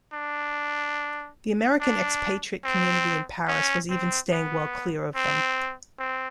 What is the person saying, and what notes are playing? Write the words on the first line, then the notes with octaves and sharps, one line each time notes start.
The American expatriate community in Paris was even staying well clear of them.
D4
D4
C4
C#4
C4
B3
C4
C4